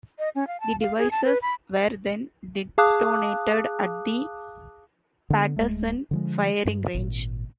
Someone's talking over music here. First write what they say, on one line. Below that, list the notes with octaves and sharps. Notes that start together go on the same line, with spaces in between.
The devices were then detonated at the Paterson firing range.
D#5
C#4
F5
A5
F5
G#4
A5
B4
B5
G#4 F5 A5 D6 D#6 F#6
D3 B3
D1 D2 G#3 A3
D3 F3 G#3
G2
G#1 A#2